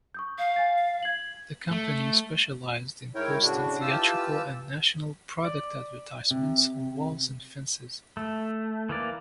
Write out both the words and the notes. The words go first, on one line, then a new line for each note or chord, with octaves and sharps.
The company specialized in posting theatrical and national product advertisements on walls and fences.
C#6 D#6 G6
F5 G6
G#5 A6
G#6 F#7
A3
G#2 E4 A#4 C#5 G5
A2 C#3 D4 F#4
E3 F4 G4 A5 E6
D5
C3
A3
E3 A#3 D5